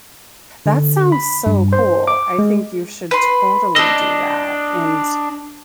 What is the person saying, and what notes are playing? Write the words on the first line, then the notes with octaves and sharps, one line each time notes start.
That sounds so cool, I think you should totally do that, and
D3
B5
G2
C5
D6
G#3
B4 C6
D4 D#5 E6